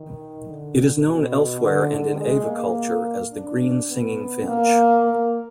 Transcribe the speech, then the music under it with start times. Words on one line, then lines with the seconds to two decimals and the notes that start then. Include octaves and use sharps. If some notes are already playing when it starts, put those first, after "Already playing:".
It is known elsewhere and in aviculture as the green singing finch.
Already playing: D#3
0.48 D3
1.05 B2
1.61 D3
1.90 D3
2.19 G#3
2.46 A#3
3.32 D4
3.89 B3
4.46 A#3
5.04 A#3